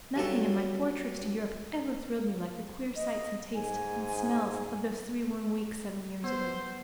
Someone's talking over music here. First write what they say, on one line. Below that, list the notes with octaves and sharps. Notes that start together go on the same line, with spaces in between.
Nothing in my four trips to Europe ever thrilled me like the queer sights and tastes and smells of those three warm weeks seven years ago.
G2 F#3 A4
D#5
G#2 G#5
B3 C5